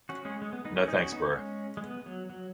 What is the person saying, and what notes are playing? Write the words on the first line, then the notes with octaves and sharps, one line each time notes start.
No thanks bro.
C#4 F#4
G#3 C#4
G#3
B3
B3 D#4
C#4 F#4
D#4 G#4
C#4 F#4
B3 D#4
G#3 C#4
G#3
B3
F#3
F#3